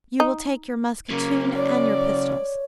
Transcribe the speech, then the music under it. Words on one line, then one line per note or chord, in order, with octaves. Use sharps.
"You will take your musketoon and your pistols."
D#4
C#3 F#3 A#3
C#5 D5